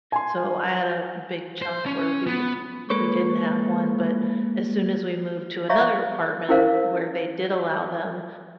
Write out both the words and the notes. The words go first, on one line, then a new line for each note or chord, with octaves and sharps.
So I had a big chunk where we we didn't have one, but as soon as we moved to another apartment where they did allow them,
G#5 C6
C5
C#4
B3
G#3 A#3 A4 B4 C#5
C#5 D5 E5 F5 A#5 C#6
C#4 E4 A#4 C5 F5